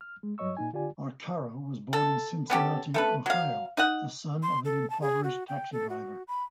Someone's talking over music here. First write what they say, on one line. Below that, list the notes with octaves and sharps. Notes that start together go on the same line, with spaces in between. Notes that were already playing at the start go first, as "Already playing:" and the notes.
Arcaro was born in Cincinnati, Ohio, the son of an impoverished taxi driver.
F6
G#3
G2 F#3 C#5 D#5 C#6 E6
A#2 D#4 G#5
D3 F4 G4 D5 G#5
A4
B3 C#4 G4 A4
A3 A4 B4
F#3 F5
D#4 D#5 F#5
C6
A4
A5
G#4
F#4
G5
A4
F#4
B5